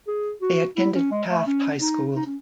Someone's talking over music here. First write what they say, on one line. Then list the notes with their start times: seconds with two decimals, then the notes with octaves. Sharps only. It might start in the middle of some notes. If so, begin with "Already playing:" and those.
They attended Taft High School.
0.07 G#4
0.42 F#4
0.76 E4
0.95 C#4
1.11 G#3
1.29 A3
1.46 C#4
1.81 D#4
2.15 D#4
2.26 C#4